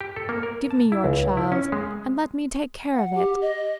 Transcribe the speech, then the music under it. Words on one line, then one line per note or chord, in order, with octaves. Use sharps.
'Give me your child, and let me take care of it.
G4
A4
A#3
A#4
A5
E4
C#2
E4
C#4
G#3
F#5
G4
D#5